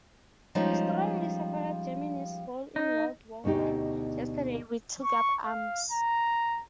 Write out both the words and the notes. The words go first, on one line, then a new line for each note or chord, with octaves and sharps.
He strongly supported Germany's role in World War One: Yesterday we took up arms.
F3 G3 G#3 C#4 D#4
D#4
D2 B2 A3 D#4 G4
C#6
F5
A#5